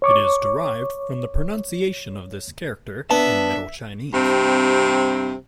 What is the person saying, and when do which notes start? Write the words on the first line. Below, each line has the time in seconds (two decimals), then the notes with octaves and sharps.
It is derived from the pronunciation of this character in Middle Chinese.
0.02 C#5 C#6 D6
3.11 B3 D4 E5 A5
4.13 G2 C3 C4